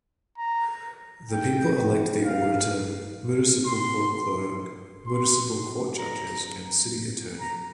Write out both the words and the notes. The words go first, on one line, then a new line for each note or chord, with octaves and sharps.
The people elect the auditor, municipal court clerk, municipal court judges and city attorney.
A#5
G5
F5
C6
C6
A#5
A#5